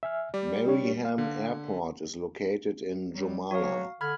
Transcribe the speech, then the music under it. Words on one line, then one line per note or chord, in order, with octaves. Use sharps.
Mariehamn Airport is located in Jomala.
E5 G#5 F6
G3 D5
D4 G4 C#5
F5
D3
F#3 G3
F#3 F#4 C#5 F5
D3 B5 F6 G#6